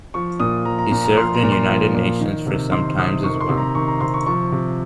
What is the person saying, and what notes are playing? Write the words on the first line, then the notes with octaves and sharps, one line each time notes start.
He served in united nations for some times as well.
F3 C#6
A#2 D#6
F3 A#5
A#5
A#2 A#5
A#5
F3 C6
A#5
A#2
C6
F3
A#2
D#3
C3
D#3 C6
C3 D#6
D#3 C#6
C6
C3
A#5
D#3 C#6
A#5
C3 C6
C#6
F3 C#6
C3